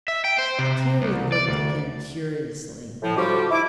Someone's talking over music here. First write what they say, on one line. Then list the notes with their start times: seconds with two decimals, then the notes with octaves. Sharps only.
Carrie looked at him curiously.
0.08 E5
0.25 G5
0.39 C5
0.59 C3
1.02 C2
1.32 D5
1.48 D2
3.02 A2 F3
3.16 D3 F3 G3 F#4 G4
3.51 E4 D6